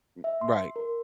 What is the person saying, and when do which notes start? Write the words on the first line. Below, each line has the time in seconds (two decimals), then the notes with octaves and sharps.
Mm, right.
0.24 E5
0.41 C6
0.76 A#4